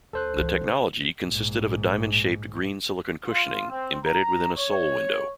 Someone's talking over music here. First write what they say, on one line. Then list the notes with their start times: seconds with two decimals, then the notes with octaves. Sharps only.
The technology consisted of diamond-shaped green silicon cushioning embedded within a sole window.
0.13 D2 A4 C5 F#6
0.36 C#2 E3
0.61 C#3
1.28 A#1 G#2
3.25 F4
3.69 C4
4.04 A#5
4.57 C#5